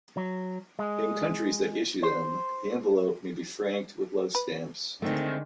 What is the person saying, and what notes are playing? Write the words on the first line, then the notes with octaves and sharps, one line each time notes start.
In countries that issue them, the envelope may be franked with love stamps.
F#3
G#3
C5
B4
D3 D#3 G#3 A3 C4